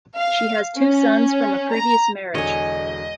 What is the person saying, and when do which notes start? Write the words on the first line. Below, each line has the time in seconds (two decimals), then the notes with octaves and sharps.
She has two sons from a previous marriage.
0.17 F5
0.77 C#4
1.72 A#5
2.35 E1 D3 C#5 D#5 G#5